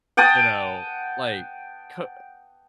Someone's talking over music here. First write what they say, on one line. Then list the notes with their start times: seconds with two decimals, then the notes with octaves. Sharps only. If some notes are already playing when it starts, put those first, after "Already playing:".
you know, like, k
0.17 F#5 G5 A5 D#6